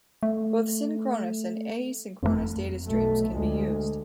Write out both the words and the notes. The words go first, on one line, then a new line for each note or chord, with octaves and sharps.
Both synchronous and asynchronous datastreams can be used.
A3
F#1 F2 C#3 A3
B1 A3
D2 G#3